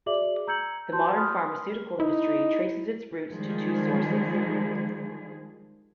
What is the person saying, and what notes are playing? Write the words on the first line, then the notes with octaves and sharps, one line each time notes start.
The modern pharmaceutical industry traces its roots to two sources.
F#4 G#4 D5 E5 D6 F#7
A#5 E6 G6 G#6 C#7 F#7
F#4 A5 C6 G6
B5 C6 D#6 F6
D#4 E4
D#3 F3 G3 G#3 G#4